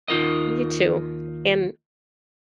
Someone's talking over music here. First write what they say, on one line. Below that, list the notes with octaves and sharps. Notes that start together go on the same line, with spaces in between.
You too. And,
D#2 D#4 F4 A#4 D#5